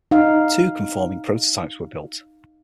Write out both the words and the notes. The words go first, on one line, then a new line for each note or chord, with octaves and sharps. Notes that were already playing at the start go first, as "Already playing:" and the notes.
Two conforming prototypes were built.
D#4 F5